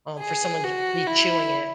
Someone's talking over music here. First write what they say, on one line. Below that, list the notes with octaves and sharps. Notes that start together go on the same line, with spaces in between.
um, for someone to be chewing it.
G#4
F#4
E4